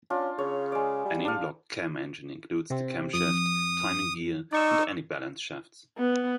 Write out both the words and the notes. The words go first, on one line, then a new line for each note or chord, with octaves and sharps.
An in-block cam engine includes the camshaft, timing gear, and any balance shafts.
C#4 D4 F4
C#3 C#5
G#3 D5
G3
D4 F5
C3 C4
F2 D#6
D#4 D5 C#6 E6
B3